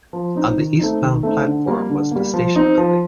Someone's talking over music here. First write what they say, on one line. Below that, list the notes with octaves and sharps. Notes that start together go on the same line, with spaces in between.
On the eastbound platform was the station building.
F3
C4 D#4
D#3
A3 C4 D#4
D#3
A3 C4 D#4
D3
G3 A#3
D3
G3 A#3
F3
C4 D#4
F3